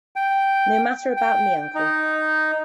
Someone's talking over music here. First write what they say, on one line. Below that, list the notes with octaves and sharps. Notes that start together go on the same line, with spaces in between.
No matter about me, uncle.
G5
G5
D#4